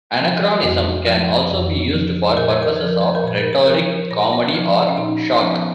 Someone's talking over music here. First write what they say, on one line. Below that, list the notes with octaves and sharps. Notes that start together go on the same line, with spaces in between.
Anachronism can also be used for purposes of rhetoric, comedy, or shock.
F3
F2 F#4
F3
F2
F3
A#2 A#4
B4
A#4
F3 B4
A#4
B4
A#4
A#2 B4
A#4
B4
F3 A#4
B4
A#4
A#2 C#5
C#5
F3 B4
C#4
A#2 D#4
F3 C#4
B3